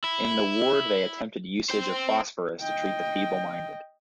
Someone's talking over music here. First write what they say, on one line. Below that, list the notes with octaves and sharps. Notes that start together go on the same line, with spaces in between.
In the ward they attempted usage of Phosphorus to treat the feeble-minded.
E4
C5 G5
D#5 G5